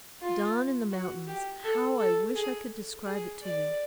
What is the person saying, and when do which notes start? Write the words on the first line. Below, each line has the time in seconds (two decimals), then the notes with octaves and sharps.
Dawn in the mountains--how I wish I could describe it to you!
0.21 F4
0.92 F#4
1.27 G4
1.64 A4
1.99 A4
2.35 G#4
3.06 G#4
3.42 D5